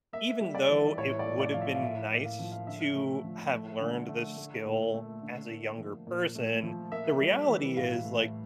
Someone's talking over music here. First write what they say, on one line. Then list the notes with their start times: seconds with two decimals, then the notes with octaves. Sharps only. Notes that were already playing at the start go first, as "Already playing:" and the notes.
even though it would have been nice to have learned this skill as a younger person, the reality is, like,
0.13 A#3 E5
0.41 G3
0.55 D5
0.69 E3
0.97 A2 C#5
1.19 D5
1.25 A3
1.40 D5
1.54 F3 F5
1.61 E5
1.75 F5
1.82 A2 E5
2.11 A#3
2.25 F5
2.39 F3
2.52 F5
2.67 D3 E5
2.95 A3
3.24 F3
3.53 A3
3.80 D3
4.08 A3
4.37 A3
4.65 A#2
4.94 A3
5.22 D3
5.50 A#3
5.78 F3
6.07 A#2
6.35 A3
6.63 F3
6.92 A#3 E5
7.21 G3
7.48 E3
7.76 A2 F5
8.05 A3